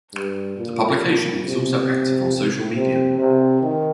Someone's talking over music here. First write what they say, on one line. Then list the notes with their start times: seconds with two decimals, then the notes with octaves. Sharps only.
The publication is also active on social media.
0.14 G2
0.57 A#2
1.01 A#2
1.45 C3
2.75 C3
3.18 C3
3.62 D#3